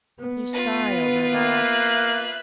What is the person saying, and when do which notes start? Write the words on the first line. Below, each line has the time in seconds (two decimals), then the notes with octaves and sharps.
'You sigh over it all.
0.20 B3
0.53 F4 B4
1.34 A#3 E5 F#6